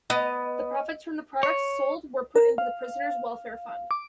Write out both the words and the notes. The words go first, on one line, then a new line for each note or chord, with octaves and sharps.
The profits from the products sold were put into the prisoners' welfare fund.
B3 D#5
C#5
A#4
F5
D6